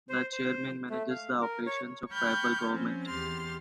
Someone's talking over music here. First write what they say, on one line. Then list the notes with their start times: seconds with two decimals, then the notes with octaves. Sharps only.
The chairman manages the operations of tribal government.
0.09 C5
0.32 C5
0.90 A3
1.10 F5
1.41 A#4
1.66 C#5
2.11 G5 B5 C#6 F6 G6 G#6
2.68 F3 C4 C#4
3.05 E2 G4 C6 F6 A6